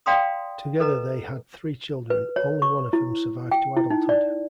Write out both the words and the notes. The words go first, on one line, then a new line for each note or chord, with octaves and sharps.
Together they had three children, only one of whom survived to adulthood.
D5 F5 G5 A#5 C6 D#6
A4 B4 D#5 A#5
B4
C#5
C#6
E4
G5
E4
D#4
D5